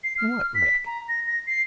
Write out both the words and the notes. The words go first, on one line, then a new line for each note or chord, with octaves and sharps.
"What wreck?"
C7
F6
B6
A#5
A#6
A#6
C7